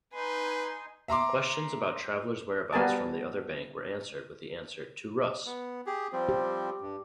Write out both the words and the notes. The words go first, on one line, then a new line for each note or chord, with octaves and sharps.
Questions about travelers' whereabouts from the other bank were answered with the answer To-Rus!
D#4 B4 G#5 C6
E5 A#5 C6 D6
G3 B3 A#4 G#5 A5
B3
G4 G#4
F3 G3 C4
G4
G2